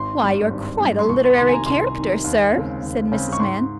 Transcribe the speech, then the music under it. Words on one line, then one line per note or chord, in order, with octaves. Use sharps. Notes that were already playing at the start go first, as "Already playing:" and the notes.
'Why, you're quite a literary character, sir!' said Mrs. Mann.
Already playing: G#1 C6
G2 G3
G#1
G2 G3
C6
C2 C#6
C6
C3 D#3 C6
G#5
A#5
C2 C6
C3 D#3
D#2
C#3 G#3 C4
D#2
C#3 G#3 C4
C#6
G#2 C6